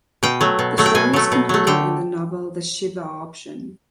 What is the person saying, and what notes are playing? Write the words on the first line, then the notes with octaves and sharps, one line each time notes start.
The story is completed in the novel "The Shiva Option".
B2 G5
F#3 A3
B2
F#3 A3
G5
B2 G#5
F#3 A3
B2
F#3 A3
D3 G5